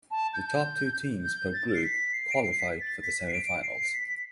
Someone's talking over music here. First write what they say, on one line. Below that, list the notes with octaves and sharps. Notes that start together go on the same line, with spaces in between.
The top two teams per group qualified for the semifinals.
A5
G6
G6
A6
C7
B6
C7
D7
C7
B6
A6
B6
C7
D7
C7
B6